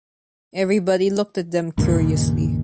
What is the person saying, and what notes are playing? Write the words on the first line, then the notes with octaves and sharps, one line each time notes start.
Everybody looked at them curiously.
C#2 G2 A#2 D#3